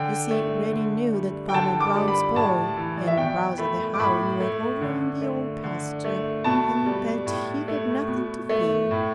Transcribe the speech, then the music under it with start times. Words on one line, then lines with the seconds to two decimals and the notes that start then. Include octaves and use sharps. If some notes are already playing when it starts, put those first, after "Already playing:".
You see, Reddy knew that Farmer Brown's boy and Bowser the Hound were over in the Old Pasture, and that he had nothing to fear.
Already playing: D3 G5
0.31 A3
0.72 D3
1.13 G3
1.49 G5
1.54 D3 A5
1.80 D6
1.95 G3
2.08 B5
2.35 A2 A5
2.76 E3
2.97 D5
3.07 E5
3.17 B2 G5
3.58 A3 B5
3.94 D6
4.00 A2 B5
4.40 A3
4.81 D3
5.21 A3
5.64 D3
6.04 A3
6.44 B2 A5
6.86 G3
7.26 A2
7.68 A3
8.08 B2
8.49 A3
8.91 A2